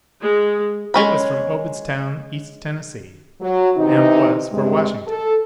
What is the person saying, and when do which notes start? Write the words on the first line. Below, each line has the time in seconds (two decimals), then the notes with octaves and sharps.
It was from Obedstown, East Tennessee, and was for Washington.
0.21 G#3
0.94 G#3 C#4 B5
3.41 F#3
3.77 C3 E3 D#4
4.52 G2 C3 G#3
5.07 A4